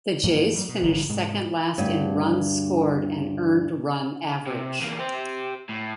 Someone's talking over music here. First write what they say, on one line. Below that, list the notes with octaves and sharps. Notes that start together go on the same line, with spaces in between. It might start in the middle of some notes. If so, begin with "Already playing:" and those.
The Jays finished second last in runs scored and earned run average.
G2 E3 F#3 A#3
F#3 G3
B2
G1 G#2 F3
G#2 C3 G#3
D2 G2
C3
E2 A#3
G4 C5
A2